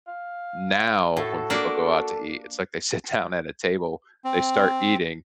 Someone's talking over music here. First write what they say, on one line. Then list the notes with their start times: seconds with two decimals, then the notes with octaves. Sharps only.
Now, when people go out to eat, it's like they sit down at a table, they start eating,
0.08 F5
1.17 A2 F#4 A4
1.50 A#3 D4
4.25 C4